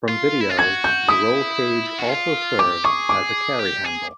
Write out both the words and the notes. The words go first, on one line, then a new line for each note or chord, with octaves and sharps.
From videos, the roll-cage also serves as a carry handle.
F4
E4
F4
F#4 G#6
G6
E4 D#6
F#4
F4
G4 D6
G#4 C#6
D6
G4
G#4